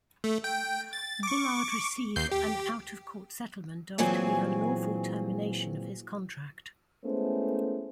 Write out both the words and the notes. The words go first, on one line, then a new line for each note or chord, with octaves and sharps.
Bullard received an out of court settlement after the unlawful termination of his contract.
A3
G5
A6
C#6 D6
D#2 G6 C7
G4
A#2 E3 F#3 C4 G#4 G#5
G#3 A3 B3 C#4 E4 C5